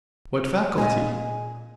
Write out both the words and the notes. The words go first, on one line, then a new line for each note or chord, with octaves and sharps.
What faculty?
A#2 G#3 G#4 D#5